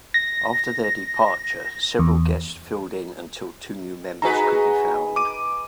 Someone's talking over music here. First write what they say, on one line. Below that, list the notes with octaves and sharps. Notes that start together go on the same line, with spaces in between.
After their departure, several guests filled-in until two new members could be found.
A#6
E2
D#4 F#4 G#4 B4 A#5
D6 D#7